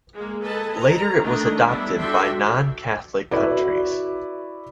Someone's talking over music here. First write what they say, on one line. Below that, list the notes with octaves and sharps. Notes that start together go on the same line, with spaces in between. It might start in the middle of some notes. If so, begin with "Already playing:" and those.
Later, it was adopted by non-Catholic countries.
G#3 A#3
A4 B4 D#5 G#5 A5
A#5
D#3 A3 D4 D#5
G3 B3 D4 E4
D4 F#4 A4 E5 G5 C6
E4 F#4 B4 D5